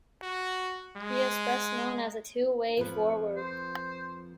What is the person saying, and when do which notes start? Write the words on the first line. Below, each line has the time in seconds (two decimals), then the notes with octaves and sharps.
He is best known as a two-way forward.
0.23 F#4
0.97 G#3
2.77 F2 F3 B4
3.37 C5